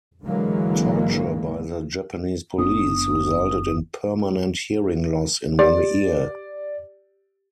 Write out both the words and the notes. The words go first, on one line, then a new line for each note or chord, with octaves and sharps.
Torture by the Japanese police resulted in permanent hearing loss in one ear.
G#1 D3 E3 F#3 G#3 A#3
F#1 B3 D4 D#6
G4 D5